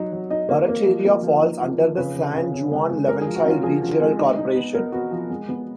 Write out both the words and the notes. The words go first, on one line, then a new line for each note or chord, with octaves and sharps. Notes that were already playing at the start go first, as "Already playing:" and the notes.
Barataria falls under the San Juan-Laventille Regional Corporation.
Already playing: F#3 D#4
F#3
D#4 D#5
A#3
A#3
F3
A#3
F3
D#4
F3
F3
C#3 B4
C#3
C#3
C#3
G#3
G#3
G#3 A#4
G#4
F3
F#4
C#4 F4
F3 G#4
F3
G#3
D#4
D#4
B3
B3 A#4
B3 F#4
F3
G#3
B3